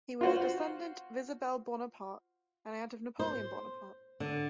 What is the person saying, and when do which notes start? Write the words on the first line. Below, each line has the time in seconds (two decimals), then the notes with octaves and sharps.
He was a descendant of Isabelle Bonaparte, an aunt of Napoleon Bonaparte.
0.21 F4 F#4 C5
3.19 C5
4.20 D3